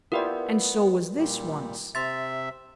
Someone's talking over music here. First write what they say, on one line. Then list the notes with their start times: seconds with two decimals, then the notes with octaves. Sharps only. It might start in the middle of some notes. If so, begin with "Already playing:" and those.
And so was this one's.
0.12 B3 E4 F4 G4 A#4 B4 D5
1.18 A#2 G3
1.95 C3 E5 C6 A6